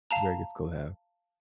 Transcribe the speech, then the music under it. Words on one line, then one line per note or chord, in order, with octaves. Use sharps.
Very good skill to have.
F5 A5 A#5